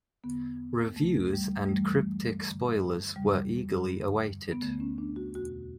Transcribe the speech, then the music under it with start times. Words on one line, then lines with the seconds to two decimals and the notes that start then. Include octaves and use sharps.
Reviews and cryptic spoilers were eagerly awaited.
0.24 E2 D3 B3
0.96 D2 C#3 E3 A3
1.33 G3
1.66 G3
1.69 F#2 E3 A3
2.42 G2 D3
3.15 E2 C#3 E3 G3
3.89 F#2 D3
4.52 B3
4.62 D2 D3 A3
4.80 C#4
4.98 D4
5.16 F#4
5.34 E2 B2 F#4